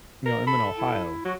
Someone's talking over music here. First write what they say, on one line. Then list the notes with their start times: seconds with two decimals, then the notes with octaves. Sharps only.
you know, I'm in Ohio.
0.26 A#4
0.47 A4 B5
0.78 E4
1.25 F#3 F#4